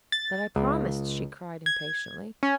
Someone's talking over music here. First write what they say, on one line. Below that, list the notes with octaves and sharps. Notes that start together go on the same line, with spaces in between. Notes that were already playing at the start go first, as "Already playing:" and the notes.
"But I promised!" she cried, impatiently.
A6
C#2
G#6
C#4